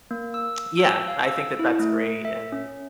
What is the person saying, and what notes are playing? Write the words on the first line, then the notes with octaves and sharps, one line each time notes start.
Yeah, I think that that's great and,
A#3
E6
E6
F5
E6
E4
A3
E5
C#4